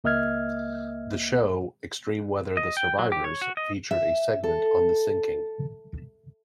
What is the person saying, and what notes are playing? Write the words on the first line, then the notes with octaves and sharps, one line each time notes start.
The show Extreme Weather: The Survivors featured a segment on the sinking.
C#2 A#3 D#5 E5 F6 G#6
D#5
G5
F#3
G4
C#5
F#4
D#5
E5
A4